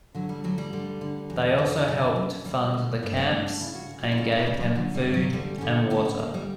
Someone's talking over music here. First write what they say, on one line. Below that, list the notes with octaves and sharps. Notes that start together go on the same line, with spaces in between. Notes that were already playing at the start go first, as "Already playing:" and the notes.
They also helped fund the camps and gave them food and water.
D3 F#3
G3
D2 F#3
G3
D3
D3
E2
D3
F#2 F#3
F#2
D2 G3
D2
G2 A#3
B3
G2 D4
D4
C#3 E4
F#4
D2
F#4
E4
C#3 F#4
E4
C#3 G3
F#3
D3 F#3
G3
G2
F#3
D3 G3
C#4
D3 B3
D2 C#4
B3
D2 A#3
G3